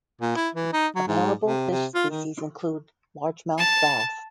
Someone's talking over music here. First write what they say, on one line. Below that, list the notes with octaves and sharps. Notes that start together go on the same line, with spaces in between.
Available fish species include Largemouth bass.
A#2
E4
E3
D#4
F#3
G#2
C3
C3
F4
D#3
A5